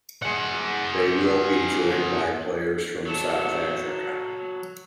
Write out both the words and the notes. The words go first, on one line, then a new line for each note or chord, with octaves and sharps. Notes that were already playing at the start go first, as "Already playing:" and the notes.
They will be joined by players from South Africa.
G#4 F#5
F#3 A4